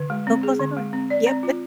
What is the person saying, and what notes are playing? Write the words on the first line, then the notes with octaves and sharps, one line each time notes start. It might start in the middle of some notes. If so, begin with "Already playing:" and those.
Ye "Go close that door." Yep.
Already playing: D3
G#3
C4
G#4
D3
G#3
C4
D5
C4
F4